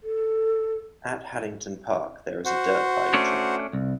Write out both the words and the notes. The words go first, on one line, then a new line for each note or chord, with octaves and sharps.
At Haddington Park there is a dirt bike track.
A4
F#4 C5 F#5
A3 C#4 D4
C2